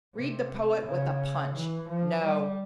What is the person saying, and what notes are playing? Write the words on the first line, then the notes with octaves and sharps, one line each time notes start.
Read the Poet with a Punch!' No.
C3
C#3
E3
F3
G3